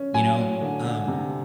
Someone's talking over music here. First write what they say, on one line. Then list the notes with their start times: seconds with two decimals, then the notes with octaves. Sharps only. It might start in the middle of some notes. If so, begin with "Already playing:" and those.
you know, um,
Already playing: C#4
0.14 F#3 G#5
0.38 A2
0.61 D3
0.84 D3
1.08 C3